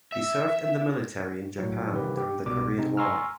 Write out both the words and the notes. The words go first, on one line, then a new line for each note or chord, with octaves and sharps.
He served in the military in Japan during the Korean War.
E5
A2 F#3
C3 D#3 E3 G3 G4 B4
G4
C2 B2 G3 D6
C3 C4 D#4
G#5 A#5 C6 C#6 E6 F6